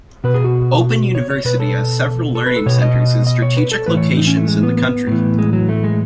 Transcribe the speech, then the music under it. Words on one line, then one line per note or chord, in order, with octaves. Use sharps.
Open University has several Learning Centers in strategic locations in the country.
B2 B4
G#4
F#4
C#5
C#5
B2 B4
A4
A4
B4
A4
B2 C#5
D#5
D#5
C#5
B4
A4
A2 E3 B4
C#5
D#4
C#4
A3
G#3
B3
B3
A2 E3
G#3
F#3
A3
G#3